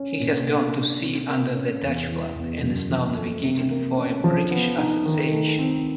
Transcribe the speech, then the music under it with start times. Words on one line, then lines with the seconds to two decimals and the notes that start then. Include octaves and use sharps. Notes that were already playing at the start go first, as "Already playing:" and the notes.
He has gone to sea under the Dutch flag and is now navigating for a British Association.
Already playing: C#4
0.20 A#2
0.48 A#3
0.74 D4
1.00 C3
1.28 A#3
1.55 C#4
1.82 E2
2.09 E3
2.36 E2
2.63 F#2
2.90 F3
3.16 A3
3.44 C3
3.71 A#3
3.97 C#4
4.24 F3
4.51 B3
4.78 D#4
5.06 D#3
5.32 A3
5.59 C4